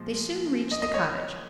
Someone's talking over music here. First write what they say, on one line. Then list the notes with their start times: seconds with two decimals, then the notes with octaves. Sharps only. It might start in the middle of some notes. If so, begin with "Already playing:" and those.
They soon reached the cottage.
Already playing: A#2 F3 G#3
0.71 D#5
0.82 D#5
0.94 C#5